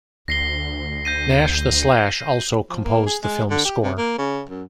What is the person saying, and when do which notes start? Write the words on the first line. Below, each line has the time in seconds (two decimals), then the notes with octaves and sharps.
Nash the Slash also composed the film's score.
0.28 D2 A#6 C7 G7
1.05 G6 A#6 D#7
2.70 F3
2.85 A#3
3.06 G#4
3.23 G#3
3.50 D3
3.65 G4
3.83 C3
3.98 A#3
4.18 C#3
4.49 F#2